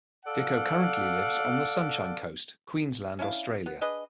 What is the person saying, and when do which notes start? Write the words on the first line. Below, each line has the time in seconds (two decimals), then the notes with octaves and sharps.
Dicko currently lives on the Sunshine Coast, Queensland, Australia.
0.25 A4 D5 F5 F#5
3.19 C#4 D4 E4 F5
3.66 B3
3.81 D4 G#4 B4 D#5